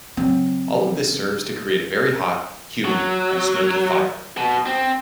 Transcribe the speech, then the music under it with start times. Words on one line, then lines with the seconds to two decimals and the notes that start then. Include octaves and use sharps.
All of this serves to create a very hot, humid and smoky fire.
0.17 C#3 F#3 C4
2.85 F#3
4.37 B2
4.66 C4